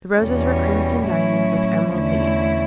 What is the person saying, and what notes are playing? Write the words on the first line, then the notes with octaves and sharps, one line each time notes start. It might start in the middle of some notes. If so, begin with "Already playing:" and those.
The roses were crimson diamonds, with emerald leaves.
E2 B2 G3 C#4
A2 F#3 C#4 E4
E2 D3 A3 C#4 E4